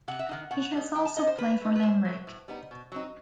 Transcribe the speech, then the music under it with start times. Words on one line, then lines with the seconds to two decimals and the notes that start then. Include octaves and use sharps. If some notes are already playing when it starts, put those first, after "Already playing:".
He has also played for Limerick.
0.08 C3 F#5
0.19 E5
0.29 D#3 A3 D#4 F#5
0.51 B2 F#5
0.74 G3 B3 D#4
0.95 E3 G5
1.05 A5
1.17 B3 D#4 D#5
1.27 C5
1.38 D#3 B4
1.61 A3 D#4
1.75 B4
1.83 A2 C5
2.05 F#3 A3
2.27 A2
2.48 G3 B3 D#4
2.71 B2
2.92 F#3 C4 D#4